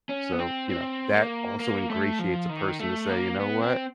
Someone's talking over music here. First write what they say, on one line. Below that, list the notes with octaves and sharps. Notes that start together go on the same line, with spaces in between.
So, you know, that also ingratiates a person to say, you know what?
C#4
B3
C4
C4
A#3
A#3
A3
F3
D#3
A3
A#3
B3
C4